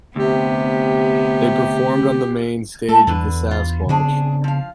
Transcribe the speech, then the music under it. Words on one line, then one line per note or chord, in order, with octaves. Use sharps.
They performed on the Main Stage of the Sasquatch!
D2 C3 B3 G4
A3 A4
E2 D3 B4
F4
C#3 B3 C4 D4 G#4
F3 F5